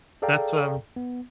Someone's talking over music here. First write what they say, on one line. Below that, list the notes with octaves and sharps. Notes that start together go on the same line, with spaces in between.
That's, um
G#4 A4 D5 F5 G5 A#5
B3